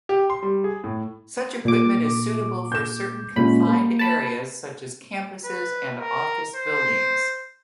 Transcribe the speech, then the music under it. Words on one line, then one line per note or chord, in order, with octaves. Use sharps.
Such equipment is suitable for certain confined areas, such as campuses and office buildings.
G4
C6
G3
G#4
A2
A#2 D6
G6 E7
A#2 G#3 C#4 B5
A#3
A5 B5
B4
A#4
C5